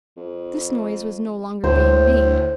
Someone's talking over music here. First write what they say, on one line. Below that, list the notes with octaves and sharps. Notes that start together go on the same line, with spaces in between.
This noise was no longer being made.
F2
D2 A2 C5